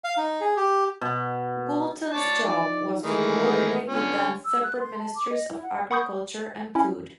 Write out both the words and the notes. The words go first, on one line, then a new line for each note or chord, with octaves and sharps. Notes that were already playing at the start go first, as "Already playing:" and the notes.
Woolton's job was to co-ordinate the then separate ministries of agriculture and food.
F5
D#4
G#4
G4
B2
C#5 D5 A5
F3 D#4 D5
G2 D#3 E3 G#3 A3 G#4
D3 B3 C#4 F4
E6
F#6
C6
A5
D6
D#5
E4
F#5
F#5 B5 C#6 D#6 G6
C#4 E4